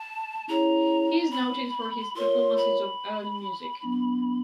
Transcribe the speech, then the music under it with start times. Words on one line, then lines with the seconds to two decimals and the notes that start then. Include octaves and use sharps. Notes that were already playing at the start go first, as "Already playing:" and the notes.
He is noted for his performances of early music.
Already playing: A5
0.48 C#4 E4 G#4 C#5 A#5
1.31 B5
2.15 F4 A#4 C#5 C6
2.57 B5
3.83 F#3 B3 D4